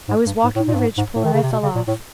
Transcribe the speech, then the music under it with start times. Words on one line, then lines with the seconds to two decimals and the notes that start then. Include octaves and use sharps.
I was walking the ridgepole and I fell off.
0.08 G#2
0.26 G2
0.44 G#2
0.56 A2
0.68 A#2
0.74 G2
0.80 G#2
0.97 G#2
1.16 A2
1.24 D#3
1.34 C#3
1.43 C3
1.52 B2
1.63 C#3
1.75 A#2
1.87 A2